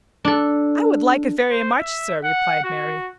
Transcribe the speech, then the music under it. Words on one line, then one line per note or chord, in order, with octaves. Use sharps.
"I would like it very much, sir," replied Mary.
D4 A4
C5
E5
F#5
F#4